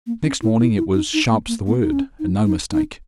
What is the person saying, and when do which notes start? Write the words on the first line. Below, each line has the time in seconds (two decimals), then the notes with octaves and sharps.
Next morning it was 'sharp's the word', and no mistake.
0.06 A#3
0.24 C#4
0.42 E4
0.60 E4
0.77 E4
0.95 D#4
1.13 D#4
1.31 A#3
1.48 A#3
1.67 B3
1.82 D#4
1.93 C#4
2.19 D#4
2.46 D#4
2.72 D#4